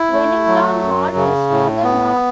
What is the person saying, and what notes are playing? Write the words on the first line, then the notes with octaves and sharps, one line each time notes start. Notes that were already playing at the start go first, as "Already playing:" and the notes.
Wennington Hall is to the north.
Already playing: E4
A3
F#3
F#2
C#3
A2
B3